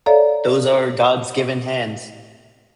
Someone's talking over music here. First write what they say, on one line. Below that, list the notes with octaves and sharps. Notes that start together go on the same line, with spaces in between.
Those are God's given hands.
A4 C#5 D5 E5 F5 A#5